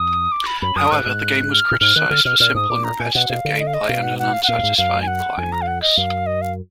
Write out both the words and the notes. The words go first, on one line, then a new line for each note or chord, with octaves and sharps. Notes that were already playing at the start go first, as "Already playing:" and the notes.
However, the game was criticized for simple and repetitive gameplay and an unsatisfying climax.
Already playing: F2 D#6
D6
B5
F#2 B5
F#2 D#6
G#2 F#6
G#2
F6
A#2
G#2 F6
D#3 F#6
D3 F6
B2 F6
A#2 F6
G#2 D#6
A#2 D6
A#5
A#2 G#5
B2 F#5
B2 F5
D3
D#5
F5
D#5
B2 F5
F#5
F#5
F5
F#5
A#2 F5
F#2
G#2
F#2 F5
G#5
F#5
F2 G#5
A#5
F5
F#5
D#5
F#2 F5
D#5
F5